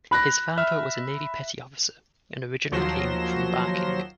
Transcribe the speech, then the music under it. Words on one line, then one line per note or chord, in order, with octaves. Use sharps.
His father was a Navy petty officer, and originally came from Barking.
B5 F#6 A#6
E5 F6
D#2 F3 F#3 C6 A#6 E7